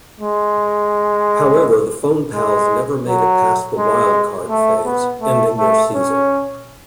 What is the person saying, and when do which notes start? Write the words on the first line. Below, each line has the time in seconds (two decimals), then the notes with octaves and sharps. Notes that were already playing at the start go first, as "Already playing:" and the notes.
However, the Phone Pals never made it past the wildcard phase, ending their season.
0.20 G#3
2.34 G#3
3.07 F#3
3.78 G#3
4.50 A3
4.85 B3
5.21 A3
5.58 A3
5.94 C#4